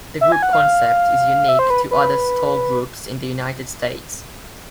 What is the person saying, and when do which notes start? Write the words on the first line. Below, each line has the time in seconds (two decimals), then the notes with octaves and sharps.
The group concept is unique to other store groups in the United States.
0.21 E5
0.32 G#5
0.43 F#5
0.53 F5
1.49 E5
1.59 C5
1.70 B4
1.91 B4